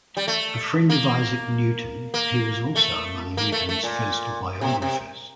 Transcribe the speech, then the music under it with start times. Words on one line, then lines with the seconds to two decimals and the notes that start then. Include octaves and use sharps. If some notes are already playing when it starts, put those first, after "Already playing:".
A friend of Isaac Newton, he was also among Newton's first biographers.
0.17 G3
0.28 A3
0.90 A#3
2.14 A#3
2.76 A3
3.37 A#3
3.52 A3
3.69 A3
3.84 A#2
4.61 C3
4.82 C3